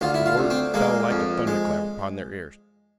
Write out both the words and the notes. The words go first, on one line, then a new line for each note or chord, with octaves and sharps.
The word fell like a thunderclap upon their ears.
D2 F4
E4
F4
D2
C4
G#3 A#3
F2
G#3